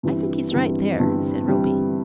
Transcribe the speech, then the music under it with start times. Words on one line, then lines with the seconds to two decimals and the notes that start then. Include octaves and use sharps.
"I think he's right there," said Roby.
0.03 G2 E3 G3 C4
0.51 G2 E3 G3 C4
1.00 G2 E3 G3 C4
1.47 G2 E3 G3 C4